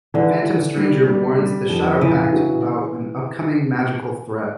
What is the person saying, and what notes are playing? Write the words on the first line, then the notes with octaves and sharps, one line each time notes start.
Phantom Stranger warns the Shadowpact about an upcoming magical threat.
D3 E3
E3
G3
G3
G3
F2
C#3 E3
F#3